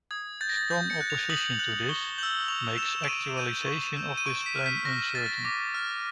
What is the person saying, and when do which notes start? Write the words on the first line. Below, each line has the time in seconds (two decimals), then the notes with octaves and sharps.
Strong opposition to this makes actualization of this plan uncertain.
0.11 D#6 G#6
0.41 G6 A6
0.49 A#6
0.57 A6
0.70 D#6 G6
0.90 C#7
1.01 F#6
1.10 F7
1.30 D#6 F#7
1.50 F7
1.59 F#6 F#7
1.89 C#6 G7
2.18 E6 G6 F#7
2.48 C#6 F7
2.78 E6 G6 E7
3.03 D7
3.08 C#6 D#7
3.37 E6 G6 D#7
3.66 C#6
3.96 E6 G6
4.17 D#7
4.26 C#6 D7
4.46 B6
4.56 F6
4.66 B6
4.85 C#6 A#6
5.15 F6 A6
5.45 D6 A#6
5.74 F6